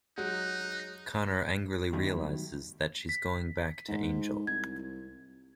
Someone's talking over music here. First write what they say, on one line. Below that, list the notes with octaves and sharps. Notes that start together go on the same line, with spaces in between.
Connor angrily realizes that she's going back to Angel.
F#3 G#3 D#4 F#5 F#6
G2 B2 D#3 F#3 G3 A3
B6
G#2
C2 G#6